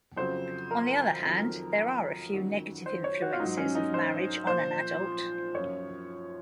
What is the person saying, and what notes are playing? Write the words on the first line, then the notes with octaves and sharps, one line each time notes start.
On the other hand, there a few negative influences of marriage on an adult.
F2 C#3 F#3 C5
A#4
F2 D#3 F#3
F#2 D#3 F#3
C5
C#5
F#4
F4
G#2 F#3 D#4
C#4
D#4
C5
A#2 F3 C5
F#2 F3 C#5